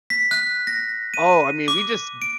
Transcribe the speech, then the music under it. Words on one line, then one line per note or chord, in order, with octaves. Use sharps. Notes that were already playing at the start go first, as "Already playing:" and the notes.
oh, I mean, we just
B6
F#6
A#6
D#7
D6
D7